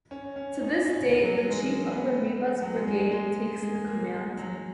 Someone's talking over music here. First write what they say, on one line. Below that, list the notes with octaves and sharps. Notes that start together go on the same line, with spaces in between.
To this date, the chief of the Rivas brigade takes the command.
C#4
C#4
D#4
C#4
A#3
F#3
F#3
G#3
A#3
B3
B3
G#3
F#3
G#3
G#3
A#3
G#3
G#3
A#3
G#3
F#3